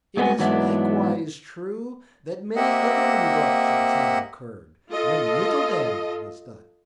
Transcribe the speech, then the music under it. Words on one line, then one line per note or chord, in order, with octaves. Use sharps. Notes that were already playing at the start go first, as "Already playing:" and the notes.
"It is likewise true that many other eruptions have occurred, when little damage was done."
G2 G#3 B3 C4 F#4 G#5
G#2 E3 F#3 B3 D4 E4
A#3 C4 G4 D#5 E5 F#5
F4 A4 D#5